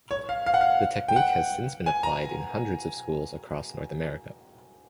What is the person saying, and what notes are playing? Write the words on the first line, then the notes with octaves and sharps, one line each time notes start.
The technique has since been applied in hundreds of schools across North America.
C#5
F5
F5
F#5
F5
G5
F#5
G#5
A#5